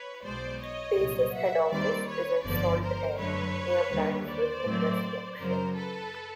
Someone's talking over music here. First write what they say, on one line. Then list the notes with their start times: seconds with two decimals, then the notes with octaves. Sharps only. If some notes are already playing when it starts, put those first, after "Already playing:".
Pace's head office is in Saltaire, near Bradford in West Yorkshire.
Already playing: B4 C#5
0.24 B1 B2 G#3 C5 D5
0.61 C#5 D#5
0.97 C2 A#2 F#3
1.34 E5 F#5
1.71 D#2 D#3 G3 C4 C5 D5
2.08 B4 C#5
2.44 G1 F2 D3 F3 G#3 C5 D5
2.82 A#4 C5
3.18 F#2 D3 F#3 A3 B4 C#5
3.92 D#2 D3 G3
4.28 C5 D5
4.65 A2 F#3 A3 C4
5.39 F#2 C#3 F#3 A#4 C5
5.75 A4 B4